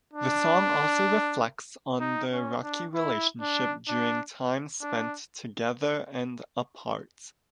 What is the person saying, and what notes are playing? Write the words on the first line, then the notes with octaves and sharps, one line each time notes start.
The song also reflects on their rocky relationship during times spent together and apart.
D4
D#4
C#4
D4
E4
D4
D4
D4